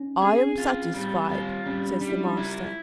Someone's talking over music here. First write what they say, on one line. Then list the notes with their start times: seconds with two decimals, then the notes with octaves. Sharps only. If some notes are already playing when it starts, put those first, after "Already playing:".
"I am satisfied," says the master.
Already playing: C#4 D#4
0.22 C4 G#4
0.58 F4
0.94 G3
1.30 F4
1.66 G3 C#4
1.90 D4
2.01 G3
2.08 E4
2.13 D#4
2.37 E4 F4